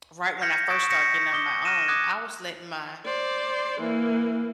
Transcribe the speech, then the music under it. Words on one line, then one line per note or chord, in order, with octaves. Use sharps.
right when I first started getting out on my own, I was letting my
F6 G6 G#6 A#6 B6 C#7
C#6 D#6 A6 B6 D7 E7
G6 A#6 B6 C#7
D6 D#6 G7
F6 F#6 A#6 D#7 E7
D6 D#6 F#6 G#6
C5 D5
E3 A#3